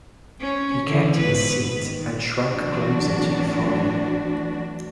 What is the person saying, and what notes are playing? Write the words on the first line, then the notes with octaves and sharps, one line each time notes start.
He kept his seat, and shrank closer to the fire.
C#4
D3 E3
G#2 B2 B4
D#3
E3 F#3 A3 C4 D4 F#4